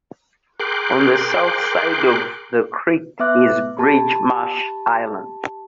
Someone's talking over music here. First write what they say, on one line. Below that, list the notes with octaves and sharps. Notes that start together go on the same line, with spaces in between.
On the south side of the creek is Bridgemarsh Island.
G#4 A#4 G5 C6 D6 F#6
B3 B4 E5 D6 F#6
G4 A5 B5